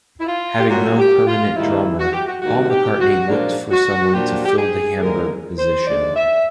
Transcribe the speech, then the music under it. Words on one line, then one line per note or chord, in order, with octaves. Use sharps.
Having no permanent drummer, Paul McCartney looked for someone to fill the Hamburg position.
E4
F4
G4
A#2 F#3 A3 C#4 F#4
A4
G#4
G4
F4
G#2 D#3 G3 A#3 E4
F#4
G4
F#4
G#2 D#3 G3 A#3 F#4
G4
F#4
A#2 F3 A#3 D4
F#4
A#2 F3 A#3 D4 G4
F#4
G4
G#4
D#2 D3 F3 G#3 A#4
C5
D#2 D3 F3 G#3 D5
E5